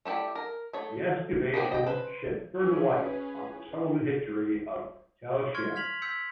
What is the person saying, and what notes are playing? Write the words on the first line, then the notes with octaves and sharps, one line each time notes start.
The excavation shed further light on the settlement history of Tel Shem.
A3 E4 G4 D5
A#4
A3 C#5
A#3 B3 G4 C5
D#5 G5
B4 C5
C#4 G#4 B4
C6 C#6 F6 G#6
F6 G#6 B6 F7 F#7
E6 G6 B6 C#7